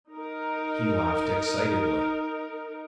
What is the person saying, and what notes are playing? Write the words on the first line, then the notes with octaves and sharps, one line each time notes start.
He laughed excitedly.
D#4 A#4